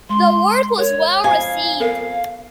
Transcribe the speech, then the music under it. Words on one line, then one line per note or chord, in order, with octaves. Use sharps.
The work was well received.
G#3 C6
A#4 C#5
F2 F5 G#5
B3 A4 A#4 F5